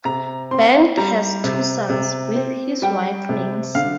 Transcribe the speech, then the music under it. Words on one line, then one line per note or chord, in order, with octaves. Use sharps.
Bent has two sons with his wife Nancy.
C3 A#5
C4 C6
G3 A#5
C3
C3
C4
G3 G5
C3
D3 F5